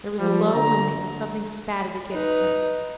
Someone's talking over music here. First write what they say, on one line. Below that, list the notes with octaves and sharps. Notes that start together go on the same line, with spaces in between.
There was a low humming and something spatted against him.
F3 G3
D3 A#5
D#4 B4